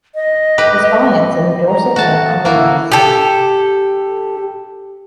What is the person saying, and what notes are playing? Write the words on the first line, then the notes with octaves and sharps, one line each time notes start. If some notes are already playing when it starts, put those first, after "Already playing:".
The spines in the dorsal fin are venomous.
D#5
G4 B4
D#5
A#5
A3 F#4 A5
A#3 E4 F#4
G4 A4